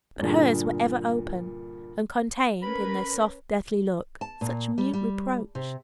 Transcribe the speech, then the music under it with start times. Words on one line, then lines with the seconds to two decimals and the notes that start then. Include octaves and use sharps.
But hers were ever open, and contained, in their soft, deathly look, such mute reproach!
0.20 G2 A#2 D3 G#4
2.62 C#4 A#4 B4 B5
4.21 A5
4.41 A#2
4.78 G3
4.93 G3
5.55 C3